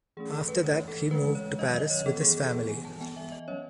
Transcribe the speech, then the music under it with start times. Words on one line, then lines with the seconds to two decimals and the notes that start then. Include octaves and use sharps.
After that he moved to Paris with his family.
0.17 E3 A3 C#4 G#4
0.33 A4
0.48 B4
0.64 E3 A3 C#4 C#5
0.88 A4
1.11 E3 G#3 C#4 B4
1.35 C#5
1.59 D#3 F#3 C#4 D#5
1.74 D#5
1.90 C#5
2.06 E3 B3 A4
2.21 G#4
2.37 A4
2.53 E3 B3 A4
2.69 G#5
2.85 A5
3.00 E3 B3 G#5
3.16 E5
3.32 D#5
3.48 F#3 C#4 C#5